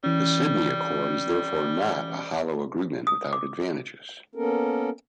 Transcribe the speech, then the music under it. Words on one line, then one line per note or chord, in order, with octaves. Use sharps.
The Sydney Accord is therefore not a hollow agreement without advantages.
E3 G3 C#4
D#6
D6
A#3 B3 C#4 A4 A#4